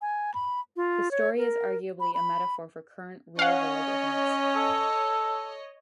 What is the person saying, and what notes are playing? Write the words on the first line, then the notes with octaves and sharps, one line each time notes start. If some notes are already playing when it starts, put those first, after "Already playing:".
The story is arguably a metaphor for current real-world events.
G#5
B5
F4
C#5
A#4
B5
B5
C#4 C#5 D#5 F5 F#5
A4